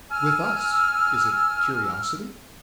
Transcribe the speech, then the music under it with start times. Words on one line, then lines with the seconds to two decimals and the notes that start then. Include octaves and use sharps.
With us is it curiosity?
0.11 G#5 E6 F6